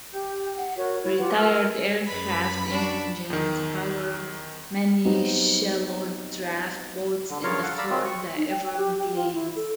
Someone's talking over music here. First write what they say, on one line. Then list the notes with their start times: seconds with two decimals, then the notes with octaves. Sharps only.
Retired aircraft engines power many shallow draft boats in the Florida Everglades.
0.14 G4 G5 G6
0.55 F#5
0.77 F#4 A#4 C#5
1.03 E4 C#5
1.19 F4 G4 B4 F#5
1.37 A#4 E6 F6
2.08 F#2 B4 B5
2.71 D4 F#4
3.30 E2 D#3
5.05 F#3 G3 B3 C4 D#4 G4
7.30 D3
7.44 G2 C#3 F4 A#4 C#5 F5
7.63 A4 F5 F#5
7.78 D5 F5 A#5 B5 E6
7.90 D#3 G#3 C4 F4
8.05 C#6
8.37 D#4
8.50 G5
8.65 G5
8.77 G4
8.99 G5
9.15 F4
9.34 E4
9.56 A4